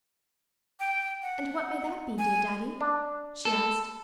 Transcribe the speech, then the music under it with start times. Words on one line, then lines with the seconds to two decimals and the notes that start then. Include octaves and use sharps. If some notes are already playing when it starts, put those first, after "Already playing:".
"And what may that be, dear Daddy?" she asked.
0.80 G5
1.22 F#5
2.18 G#5
2.81 D4
3.45 A4